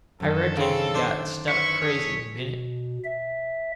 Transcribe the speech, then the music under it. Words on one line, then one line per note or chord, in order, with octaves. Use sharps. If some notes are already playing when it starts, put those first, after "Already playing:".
I reckon he got struck crazy a minute.
F#2 D3 D#3 A4
C#3 C4
D4 C5
E4 B4 C#6 B6 C#7
G#4 A4 C#5
B2
E5